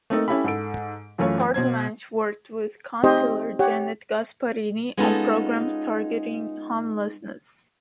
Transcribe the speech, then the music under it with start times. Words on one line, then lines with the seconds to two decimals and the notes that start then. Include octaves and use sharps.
Courtemanche worked with councillor Janet Gasparini on programs targeting homelessness.
0.10 A3 A#3 C4 D#4 A4
0.28 C#4 E4 G4 A4 B5
0.44 G#2 A4 D7
1.18 F#2 E3 A3 F4 C#5
1.54 B2 C5 G#6
3.03 A3 C4 D#4 G4 C5 D#5
3.59 G4 C#5 F#5
4.97 G#3 B3 C#4 D#4 F4 A4